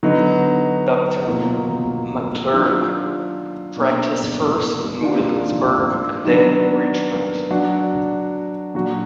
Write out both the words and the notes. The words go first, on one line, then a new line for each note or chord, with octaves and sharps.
Dr. McClurg practiced first in Williamsburg, then in Richmond.
D3 F#3 B3 D#4
B2 F#3 A#3 F4
D#3 F#3 D4 F4
B2 A#3 D4
D#3 A#3 D4 F4
D#3 F#3 B3 D4
F#3 D4 F#4
A#2 F#3 D4 F#4